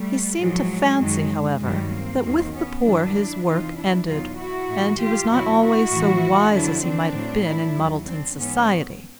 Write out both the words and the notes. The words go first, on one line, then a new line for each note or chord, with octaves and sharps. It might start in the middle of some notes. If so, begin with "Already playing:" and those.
He seemed to fancy, however, that with the poor his work ended, and he was not always so wise as he might have been in Muddleton society.
Already playing: G3 A3
A2 F3 F#3 G#3
F#2 D#3 F#3
G2 D#3 F#3 G3
A#3 C4
D#2 D#3 F#3
B3 C#4
G2 D#3 F#3 D4 E4
E2 C3 E3 D#4 F4
D4 E4
E2 B2 F#3 D#4 F4
E4 F#4
A2 E3
F4 G4
E2 B2 F#3 E4 F#4
E4 F#4
A2 E3
F2 D3 F#3 D4 E4
C4 D4
A2 F#3
D4 E4
D#2 D#3 F#3
C4 D4
G#2 E3 B3 C#4